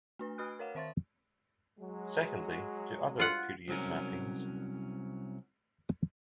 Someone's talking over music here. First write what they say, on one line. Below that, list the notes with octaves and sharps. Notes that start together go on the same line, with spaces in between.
Secondly, to other period mappings.
A3 D4 B4
F#4 B4 B5 D#6 F6 F#6
A#4 C#5 F5 F#5
D#3 C5 E5 C6 A6
F#3 G#3
F4 F#5
C2 F#3 C#4 A#4